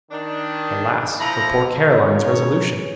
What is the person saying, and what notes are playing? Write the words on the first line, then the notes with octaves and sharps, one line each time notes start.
Alas for poor Caroline's resolution!
D#3 D4
F3 E4 A#5
G#1 C#3 G#4 A#4 B4 C#5